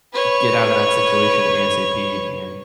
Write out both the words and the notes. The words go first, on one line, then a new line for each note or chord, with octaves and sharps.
get out of that situation ASAP and
B4 C#5